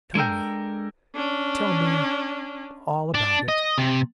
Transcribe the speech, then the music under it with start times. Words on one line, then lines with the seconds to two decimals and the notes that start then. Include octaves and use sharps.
"Tell me--tell me--all about it."
0.15 G#3 D4 A4 A#4 G5
1.14 C#4 D4
3.15 D4
3.48 D#5
3.78 C3